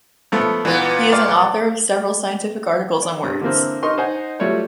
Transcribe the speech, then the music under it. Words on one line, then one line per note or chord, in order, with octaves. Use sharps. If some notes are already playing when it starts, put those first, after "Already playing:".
He is an author of several scientific articles and works.
F3 A3 B3
A#2 E3 B3
D5 F5
D5 D6
D5
G2
D3 E3 A#3 C4
D#4 A#4 D#5 C6 C#6
D#4 C5 D#5 F#5 G#5
F#3 G3 A3 F4 C#5 D5